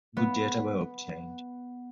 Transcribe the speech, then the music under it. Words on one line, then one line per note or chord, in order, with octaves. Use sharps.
Good data were obtained.
B3